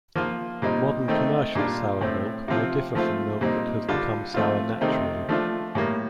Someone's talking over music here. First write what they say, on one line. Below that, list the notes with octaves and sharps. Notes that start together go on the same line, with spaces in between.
Modern commercial soured milk may differ from milk that has become sour naturally.
F3 A#3 F4
A#2 G3 C4 D#4
D#3 A3 C4 D#4
A#2 G3 D4 F4
A2 A3 C4
C3 F3 C4 F4
F3 A3 C4 F4
A#2 G3 C4 D#4
D3 G3 D4 F4
F3 A3 C4 F4
C3 D#3 A3 C4 D#4
F3 A3 D4 F4
A2 G3 A#3